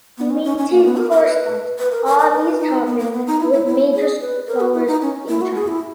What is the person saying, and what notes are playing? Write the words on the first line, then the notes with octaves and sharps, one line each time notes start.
He maintained correspondence on these topics with major scholars in China.
B3
C#4
C#4
C#4
A#3
B3
A#4
A#4
B4
B4
A#4
A#4
A#4
B4
D#4
B3
A#3
B3
D#4
E4
E4
E4
G#4
B4
A#4
F#4
E4
D#4
C#4
E4
F#4
G#4
E4